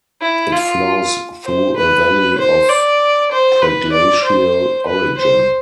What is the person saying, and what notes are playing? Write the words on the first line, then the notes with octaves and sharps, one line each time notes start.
It flows through a valley of preglacial origin.
E4
F4
C5
B4
C5
D5
C5
B4
D5
C5
B4
C5